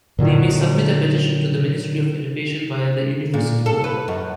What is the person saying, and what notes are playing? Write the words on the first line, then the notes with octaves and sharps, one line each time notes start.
They may submit a petition to the Ministry of Education via the University Board.
A#2 D3 D#3 F#3
A#2
A4
B4
F#2